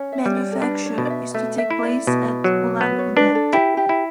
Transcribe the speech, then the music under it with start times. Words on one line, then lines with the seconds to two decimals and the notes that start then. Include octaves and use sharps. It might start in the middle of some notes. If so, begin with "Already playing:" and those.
Manufacture is to take place at Ulan-Ude.
Already playing: C#4
0.12 E5
0.26 G3
0.31 C#5
0.37 D5
0.52 A4
0.62 D4 B4
0.86 C#5
0.98 B2
1.05 D5
1.10 E5
1.35 A3 E5
1.58 E5
1.70 E4
1.83 D5
2.07 B2
2.44 F#3
2.80 B3 B4
2.99 C#5
3.17 D4 B4
3.35 A4
3.53 E4 G4
3.77 G4
3.89 E4